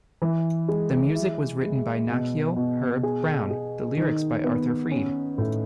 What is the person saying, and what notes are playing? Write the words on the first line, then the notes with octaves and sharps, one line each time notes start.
The music was written by Nacio Herb Brown, the lyrics by Arthur Freed.
E3
G#3
E4
G#3
B2
B2
G#4
G#4
D#3
B3
C#4
A2